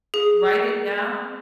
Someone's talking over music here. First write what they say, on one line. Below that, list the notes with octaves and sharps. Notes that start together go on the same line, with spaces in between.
write it down,
G#4